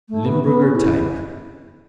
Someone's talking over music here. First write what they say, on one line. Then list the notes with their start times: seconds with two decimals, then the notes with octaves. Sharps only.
Limburger type.
0.09 A3
0.26 B3
0.44 B3
0.62 C#4
0.76 E4